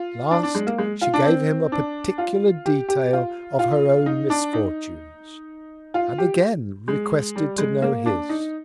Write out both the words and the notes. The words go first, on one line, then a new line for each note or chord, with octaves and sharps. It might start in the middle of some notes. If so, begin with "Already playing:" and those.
At last, she gave him a particular Detail of her own Misfortunes, and again requested to know his.
Already playing: F4
D4
D4
G#3
A#3
G#3
F4
D4
C4
D4
F4
G4
G4
F4
F4
D#4
D4
D#4
F4
G4
G#3
G3
G#3
A#3
D4
D#4